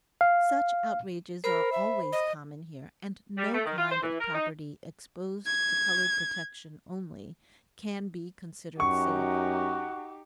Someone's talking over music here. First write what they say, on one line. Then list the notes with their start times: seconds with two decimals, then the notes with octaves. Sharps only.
Such outrages are always common here, and no kind of property exposed to colored protection only, can be considered safe.
0.21 F5
1.44 A#4 C5 B5
1.72 E5
2.13 D#5
3.37 G3
3.54 A3
3.65 D#3
3.78 F4
3.91 C5
4.02 E3
4.20 A#4
4.34 D#4
5.46 G#6
8.80 F#2 D#4 F#4 G4 C#6